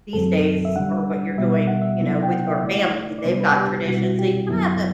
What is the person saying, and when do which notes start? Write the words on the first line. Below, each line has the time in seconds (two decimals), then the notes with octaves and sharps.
these days or what you're doing, you know, with your family. They've got traditions, so you kinda have to
0.13 F#2 D3 F#3 C4 A4
0.65 E5
0.76 D3 G3 D4 F#5
1.38 B2 G3 B3 E5
1.54 E5
1.67 F#5
1.82 E5
2.01 C3 F#3 B3 E4
2.23 G5
2.31 F#5
2.47 E5
2.62 D3 A3 E4 D5
3.18 D5
3.25 C3 G3 B3 D4 C5
3.41 B4
3.56 G4
3.87 B2 G3 C4 E4 F#4
4.03 F#4
4.19 G4
4.50 F#2 D3 F#3 B3 E4